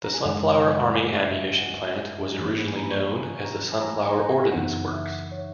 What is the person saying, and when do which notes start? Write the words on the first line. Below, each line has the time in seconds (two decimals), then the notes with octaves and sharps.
The Sunflower Army Ammunition Plant was originally known as the Sunflower Ordnance Works.
0.04 A#5
0.14 G#5
0.25 F#2 C#3 G#3 F#5
0.52 G#5
0.72 E5
0.78 F#5
1.05 F#5
1.24 D#5
1.32 E5
1.58 F#5
1.85 G#5
2.24 G#5
2.31 A#5
2.38 G#2 E3 A#3 C#4 B5
2.68 G#5
2.76 A#5
2.83 B5
2.92 C#6
3.45 A#5
3.72 G#5
3.81 A#5
3.92 G#5
4.01 A#5
4.11 G#5
4.21 A#5
4.31 G#5
4.51 F#2 C#3 E3 B3 D#4 F#5
4.93 E5
5.05 F#5
5.32 C#5